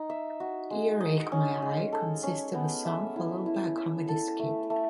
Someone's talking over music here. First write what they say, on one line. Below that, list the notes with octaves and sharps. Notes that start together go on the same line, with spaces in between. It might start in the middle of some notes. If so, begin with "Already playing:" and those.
"Earache My Eye" consists of a song, followed by a comedy skit.
Already playing: D#4
E5
F#4
G#3
D#5
C#4
G#3
A4
C#4
B3
E5
E4
E4
E5
A4
A3
A3